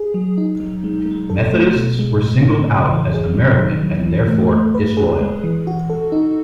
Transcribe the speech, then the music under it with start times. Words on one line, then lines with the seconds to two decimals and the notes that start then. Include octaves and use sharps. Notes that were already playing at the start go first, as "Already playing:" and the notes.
Methodists were singled out as American and therefore disloyal.
Already playing: G#4
0.14 F#3
0.38 D#4
0.60 F#3
0.84 G#3
1.06 G#3
1.30 A4
1.53 A3
1.76 B2
1.99 G#3
2.22 A2
2.45 A2
2.68 C#3
2.90 E3
3.14 G#4
3.36 F#3
3.59 D#3
3.83 F#3
4.05 E3
4.28 A3
4.51 A3
4.75 B4
4.97 G#4
5.21 G#3
5.44 E3
5.67 F#4
5.90 A4
6.12 D#4